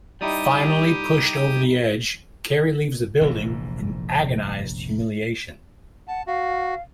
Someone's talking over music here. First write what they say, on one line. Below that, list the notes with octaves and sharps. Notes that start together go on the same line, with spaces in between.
Finally pushed over the edge, Carrie leaves the building in agonized humiliation.
G3 D#4 E4 G4 D#6
F1 A#1 G#2 E3
F#5 A5
F#4 F5